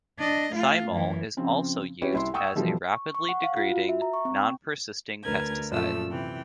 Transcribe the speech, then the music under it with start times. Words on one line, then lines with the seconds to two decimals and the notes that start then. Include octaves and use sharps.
Thymol is also used as a rapidly degrading, non-persisting pesticide.
0.19 D4 D#5
0.53 A3 F4
0.91 F#2 E3
1.37 C#3 F3 C4 C#4
2.02 C#4 E4 F#4 G4 B4 C#5
2.14 C2 E4 E5 C6
2.34 F#5 G5 C#6 D#6 E6
2.55 B2 E3 F3 G3 A3
2.91 C#6
3.15 C#6
3.29 F#5
3.43 F5
3.56 F4
3.70 F#4
3.89 E5
4.02 A#5
4.14 C#6
4.25 C4
4.39 G5
5.24 D2 A#4 B4 G#6
5.70 F#2 A#2 F3 A3 E6
6.09 C3 E3 G5